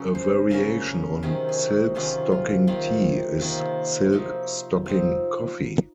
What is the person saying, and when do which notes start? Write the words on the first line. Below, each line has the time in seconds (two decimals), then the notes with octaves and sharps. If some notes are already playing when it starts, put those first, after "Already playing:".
A variation on "silk stocking tea" is "silk stocking coffee".
Already playing: C#3 F#3 C#4
0.15 C5
0.51 C#3 F#3 C#4 A#4
0.87 A#4
1.23 C3 D#3 F#3 C#4 G#4
1.49 G#4
1.59 F#4
1.95 C3 D#3 F#3 C#4 F4
2.32 F4
2.67 C3 D#3 A#3 F4
3.41 C3 D#3 A#3
4.12 F3 C4 D#4 F#4
4.86 F3 C4 D#4